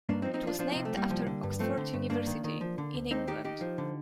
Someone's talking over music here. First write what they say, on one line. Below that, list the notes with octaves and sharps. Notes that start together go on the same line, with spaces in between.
It was named after Oxford University, in England.
G2 A#3 D4
C4 D#4
F3
C4 D#4
F3 D4 F4
F3 D4 F4
C3 C4 D#4
A3
C2 G3 A#3
F3
D3
G2
F3 A3 C4
D3
G2
G2 A#3 D4
D#3
D#3
F3
D3
D2
D#2 C4 D#4
D#3 D#4 G4
D#3 D#4 G4
F3
D3